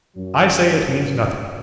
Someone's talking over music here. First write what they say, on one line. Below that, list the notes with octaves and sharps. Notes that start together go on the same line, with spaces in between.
'I say it means nothing.
F#2 F#3